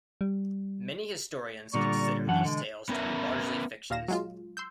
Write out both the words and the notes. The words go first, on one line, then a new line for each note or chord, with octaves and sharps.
Many historians consider these tales to be largely fictions.
G3
A#2 D3 G3 D5 A#5 C#6
F#2 E3 C#4 D4 F#5
B2 D3 E3 G#3
B3 C#4 A#4 B4 E5
D#2 A#2 F5 A#6 E7
F#3 G#3 F4
C6 E6 G6